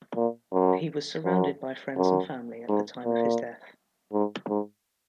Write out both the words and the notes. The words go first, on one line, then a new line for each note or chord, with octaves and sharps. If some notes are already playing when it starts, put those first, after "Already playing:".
He was surrounded by friends and family at the time of his death.
A#2
F#2
F#2
F#2
G#2
A#2
G#2
G#2